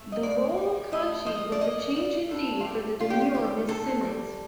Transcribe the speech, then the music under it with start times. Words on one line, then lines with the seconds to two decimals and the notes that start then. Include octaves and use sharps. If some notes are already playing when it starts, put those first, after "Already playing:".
The role of Kanchi was a change indeed for 'the demure Miss Simmons.
Already playing: A3
0.12 D#5
0.23 A2 D5
0.57 G3
0.92 A3 D#5
1.26 F3 D#5
1.52 D5
1.61 A#2 D#5
1.96 G3 D5
2.30 A2 A4
2.60 F4
2.65 A3 G4
3.00 G3 F4
3.10 G4
3.21 F4
3.34 D#3 G4
3.69 A#2 A4
4.03 G3